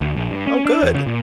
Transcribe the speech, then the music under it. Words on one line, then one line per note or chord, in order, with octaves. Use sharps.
Oh, good.
D2
A#1
G2
C#4
D4
E2
C#3
A#2